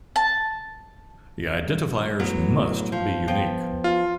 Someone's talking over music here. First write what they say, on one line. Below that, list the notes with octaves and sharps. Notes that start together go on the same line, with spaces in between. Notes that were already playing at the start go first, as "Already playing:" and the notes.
The identifiers must be unique.
A5
G3
A2 F#3 B3
F3
F3 B3 G5
F4